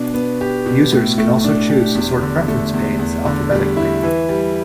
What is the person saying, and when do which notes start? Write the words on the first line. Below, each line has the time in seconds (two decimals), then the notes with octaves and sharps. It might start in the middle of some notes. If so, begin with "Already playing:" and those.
Users can also choose to sort preference panes alphabetically.
Already playing: B2 D4
0.14 B3
0.41 G4
0.66 B2
0.92 A2
1.18 A3
1.44 D4
1.70 G4
1.95 E2
2.21 D3
2.48 A3
2.74 E2
2.99 E2
3.26 D3
3.51 G3
3.77 E4
4.03 E3
4.29 G3